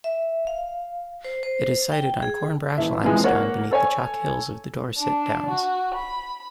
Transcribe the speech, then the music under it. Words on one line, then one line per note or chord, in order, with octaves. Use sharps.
It is sited on Cornbrash limestone beneath the chalk hills of the Dorset Downs.
E5
F5
C5
C5
G5
G#4
D#1 E3 E5
C3 E3 F3 G#3
A#3 C#5 F#5
A4 C#5 G#5
D4
F#4
B5